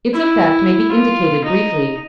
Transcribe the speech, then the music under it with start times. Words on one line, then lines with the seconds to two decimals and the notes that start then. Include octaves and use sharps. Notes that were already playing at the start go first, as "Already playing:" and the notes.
Its effect may be indicated briefly.
0.13 E4
0.91 F4
1.44 D#4